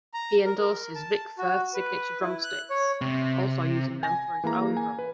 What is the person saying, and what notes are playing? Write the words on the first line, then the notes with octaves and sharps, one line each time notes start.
He endorses Vic Firth signature drum sticks, also using them for his own drumming.
A#5
A#4
A#4
A5
F#4
B4
E4
F#6
C#5
C3
G#5 A#6
E3 A#3 G#4 A#5
G#5
B4